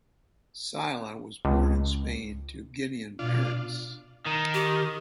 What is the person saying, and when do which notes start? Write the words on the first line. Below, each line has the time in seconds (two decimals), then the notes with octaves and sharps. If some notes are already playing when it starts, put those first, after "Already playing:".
Sylla was born in Spain to Guinean parents.
1.45 C#2
3.19 B2 D4 F4
4.26 D#3
4.54 G4